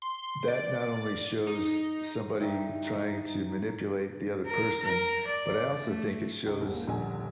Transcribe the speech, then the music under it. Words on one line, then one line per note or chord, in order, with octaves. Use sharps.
that not only shows somebody trying to manipulate the other person, but I also think it shows
C6
D5
D#4
G2 E3 D#4
A#4
A#4
D5
A3
C#2
E1 G3
A#3
D#1 A#1 D3 G#5